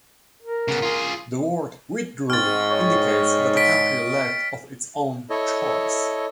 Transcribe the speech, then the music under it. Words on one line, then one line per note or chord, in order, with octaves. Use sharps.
The word "withdrew" indicates that a country left of its own choice.
A#4
C#3 B3
F4 G#4
G#2 C4 D#5 C#6 F6 A6
C#5 G5
B6 D7
E4 A4 C#5 D#5